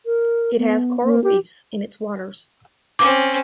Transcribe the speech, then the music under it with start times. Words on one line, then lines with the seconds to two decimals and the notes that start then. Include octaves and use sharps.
It has coral reefs in its waters.
0.06 A#4
0.58 B3
1.03 A#3
1.24 G4
2.99 C4 C#4 D6